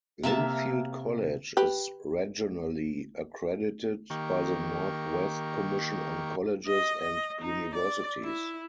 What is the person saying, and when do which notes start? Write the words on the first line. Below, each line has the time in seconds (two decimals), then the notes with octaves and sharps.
Linfield College is regionally accredited by the Northwest Commission on Colleges and Universities.
0.23 C3 A#3 E5 A5
1.57 G4 B4
4.10 D#3 A#3 G4 C#6
6.67 D#5
7.02 D#5
7.41 D#4
7.75 D5
8.24 E4